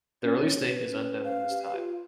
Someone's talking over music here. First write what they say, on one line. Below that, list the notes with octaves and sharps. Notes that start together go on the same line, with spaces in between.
The release date is unknown at this time.
C#4 C#5
B4
C#4
F5
G4
F4